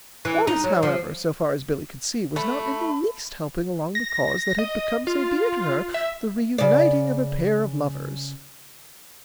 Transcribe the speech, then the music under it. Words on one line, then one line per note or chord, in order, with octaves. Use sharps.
All this, however, so far as Billy could see, was not in the least helping along the cause that had become so dear to her--the reuniting of a pair of lovers.
E3
D#4
F#3
F3
A3 B5
A#6
D#5
F4
E5
C#3 D5